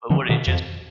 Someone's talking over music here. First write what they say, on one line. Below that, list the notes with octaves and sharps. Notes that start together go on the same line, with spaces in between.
but would it just
D3 F3
B2 D#3
F2